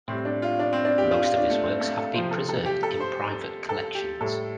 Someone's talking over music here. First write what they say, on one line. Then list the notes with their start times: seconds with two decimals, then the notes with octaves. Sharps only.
Most of his works have been preserved in private collections.
0.08 A2 G3 C4
0.25 D4
0.42 F4
0.59 D4
0.73 C4
0.85 D4
0.98 G4
1.11 F4
1.24 F4
1.37 D4
1.50 A3
1.63 C4
1.80 A3
1.97 A4
2.14 C3 F3 C5
2.31 A4
2.49 A4
2.66 G4
2.83 A4
3.00 C5
3.69 A4
3.95 G4
4.21 A2 G3 A4